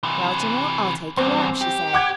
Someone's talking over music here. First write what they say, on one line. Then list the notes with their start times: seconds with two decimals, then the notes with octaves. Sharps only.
"Well, general, I'll take you up," she said.
0.03 C3 E3
1.17 E2 G2 C4
1.61 G4
1.93 F#5 D6 G#6